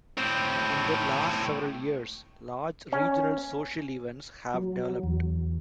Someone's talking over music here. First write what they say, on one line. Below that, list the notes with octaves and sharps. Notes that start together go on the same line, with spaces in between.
In the last several years, large regional social events have developed.
A2 C4
C#4
F#3
E2